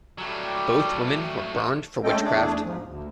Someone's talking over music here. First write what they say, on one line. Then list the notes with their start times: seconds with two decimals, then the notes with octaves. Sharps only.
Both women were burned for witchcraft.
0.18 F#3 G3 A3
2.04 G#3 A3 C#4 A4 D#5 G5
2.22 E2 A3 D4 G#4
2.64 G#2 F3
2.83 D2